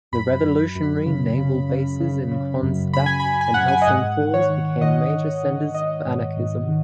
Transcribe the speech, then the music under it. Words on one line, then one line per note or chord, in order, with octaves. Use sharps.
The revolutionary naval bases in Kronstadt and Helsingfors became major centers of anarchism.
F#2 B5
F#2
F#2
C#3
C#3
C#3
C#3
C#3
F#2
C#3 B5
G#5
B5
F#2
G#5
F#2 F#5
G#5
D#5
G#2 F#5
D#3
C#5
D#3
D#3 D#5
D#3
D#3
D#3 D#5
G#2
G#2
D#3